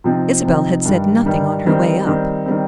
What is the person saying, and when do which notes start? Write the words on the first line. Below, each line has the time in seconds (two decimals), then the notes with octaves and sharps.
Isabel had said nothing on her way up.
0.04 C3 F3 C4 D#4
0.45 C3 F3 C4 D#4
0.85 G2 D#3 G3
1.26 G2 D#3 G3
1.66 D#3 G3 C4
2.07 D#3 G3 C4
2.46 D#3 G3 C4